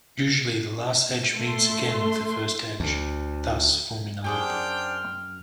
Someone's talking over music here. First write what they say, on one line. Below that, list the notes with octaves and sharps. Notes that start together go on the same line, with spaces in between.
Usually the last edge meets again with the first edge, thus forming a loop.
A3 C6
D2
F#2 D4 G4 G#4 C5 F#5 G5 F6